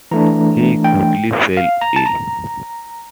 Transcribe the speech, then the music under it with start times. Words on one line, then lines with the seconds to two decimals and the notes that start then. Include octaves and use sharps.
He quickly fell ill.
0.11 E3 A3 D4 A#5
0.84 G5
1.57 F5
1.81 A#5
1.96 A5
2.06 A#5